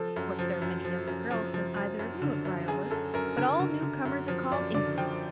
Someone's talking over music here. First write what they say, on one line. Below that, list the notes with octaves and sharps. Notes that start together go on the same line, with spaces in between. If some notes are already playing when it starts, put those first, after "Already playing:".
Of course, there are many younger girls than either of you at Briarwood, but all newcomers are called Infants.
Already playing: F3 A4
F#2
F3
F#2
F3
F#2
F3
F3
F3
F#2
D3
F#2
F#2 G#4
F#2 A4
F#2 A#4
D3 A#4
D3
D3
F#2
F3
F#2 D5
D3 D5
F3 G5